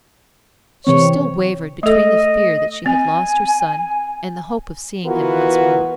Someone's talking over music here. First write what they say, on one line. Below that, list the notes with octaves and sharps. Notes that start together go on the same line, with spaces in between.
She still wavered between the fear that she had lost her son and the hope of seeing him once more.
C3 E3 C4 C#5
A3 A4 D#5
C4 G#5
E3 B3 F4 F#4 A#4